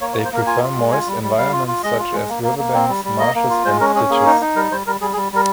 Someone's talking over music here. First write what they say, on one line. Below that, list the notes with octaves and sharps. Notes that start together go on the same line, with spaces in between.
They prefer moist environments such as riverbanks, marshes and ditches.
A#3 C#5
C#5
A#3
C5
A#3 A#4
F4 G#5
F4
G#3
F4 G#5
G3
G3
G3 F5
F4
F4
G#3 D#5
F4
G#3
A#3
A#3
A#3
C4
G3
G3
A#3 D#5
A#3
F4
G#3 C5
C#4 A#4
C#4 G#4
A#3 G#4
D#4
D#4
G3 A#4
G3 C5
G3 A#4
G3 G#4
G#4
G3
G3 A#4